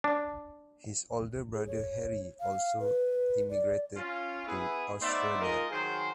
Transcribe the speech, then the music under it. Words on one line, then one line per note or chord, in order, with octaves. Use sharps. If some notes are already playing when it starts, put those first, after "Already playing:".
His older brother Harry also emigrated to Australia.
D4
G#4
C#5
F5
B4
D5
C#4 F4
B3 E4 G#4
A3 B3 D#4 C5 D5 E5
G#3 D#4 F4 A#4 D#5
D#3 F#3 G#4 C5